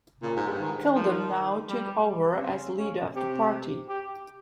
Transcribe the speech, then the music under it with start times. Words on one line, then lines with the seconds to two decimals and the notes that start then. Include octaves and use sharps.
Kilbom now took over as leader of the party.
0.22 A#2 C#3
0.36 G#2
0.48 G2
0.60 G#2 D#3
0.95 D#3 F3
1.69 G3
2.32 C3
2.41 C#3 C4
2.78 C#4
3.15 C3 G4
3.88 G4